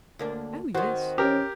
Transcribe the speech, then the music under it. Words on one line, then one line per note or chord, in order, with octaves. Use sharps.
"Oh, yes."
D2 A#3 D4
D#3 C4 F#4
C#4 G4 A#4